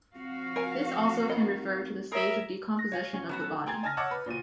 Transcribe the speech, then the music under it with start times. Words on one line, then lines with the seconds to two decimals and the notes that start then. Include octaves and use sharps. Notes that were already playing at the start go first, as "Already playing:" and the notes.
This also can refer to the stage of decomposition of the body.
0.15 F3 C4 F#4 F5
0.56 A#4 G#5
1.29 D#3 D#5 B5
2.12 G#4 A#4 C#5 E5
2.77 F#6 A#6
2.92 C#5 F5 G#5
3.13 C#4
3.29 F#3 B3 F#4
3.41 A4
3.66 G5 G#5 A#5 C6 G#6 A6
3.83 D#5 G#5 A5 F6 A6 A#6
3.97 C#5 D#5 F#5 A5 D6 E6
4.11 B4
4.26 A#2 F3 F#4 D#7